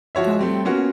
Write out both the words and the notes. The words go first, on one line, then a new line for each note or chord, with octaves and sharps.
Oh, yeah.
F3 F#4 C#5 E5
A3 C4 G4
A#3 B3 C#4 F4 F#4